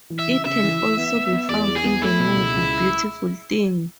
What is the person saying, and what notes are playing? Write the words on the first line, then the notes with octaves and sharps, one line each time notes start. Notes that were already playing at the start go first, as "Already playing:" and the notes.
It can also be found in the movie "Beautiful Thing".
E3
E5
C#3
C#3 E5
E3
E3
B3
B3
B3
E2 D5
E2
G#4
B3
A3 E4
B2
C#2
C#2